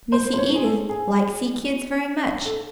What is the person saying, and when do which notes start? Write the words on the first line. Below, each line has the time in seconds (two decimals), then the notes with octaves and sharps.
Missy Edith like see kids very much.
0.12 C5
0.33 C5
0.38 C#5
0.55 G#4
0.64 A4
0.89 G#4
2.45 A4